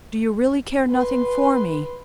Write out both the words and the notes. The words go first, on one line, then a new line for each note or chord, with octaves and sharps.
Do you really care nothing for me?
B4 C6